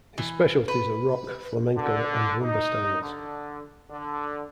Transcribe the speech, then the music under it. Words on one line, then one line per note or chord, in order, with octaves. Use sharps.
His specialties are rock, flamenco, and rumba styles.
E3
B4
D3
D#4
D3
D3